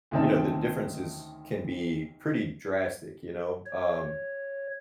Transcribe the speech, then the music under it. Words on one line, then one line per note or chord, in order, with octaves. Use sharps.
you know the differences can be pretty drastic. You know? Um,
D2 C3 D#3 C4 C#4 A5
C#5